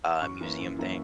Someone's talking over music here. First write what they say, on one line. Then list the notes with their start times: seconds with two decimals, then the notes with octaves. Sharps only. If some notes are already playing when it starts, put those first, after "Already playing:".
uh, museum thing?
0.21 F#2 C#6
0.41 E3 A#3 C#4 E4
0.60 F#2
0.79 E3 A#3 C#4 E4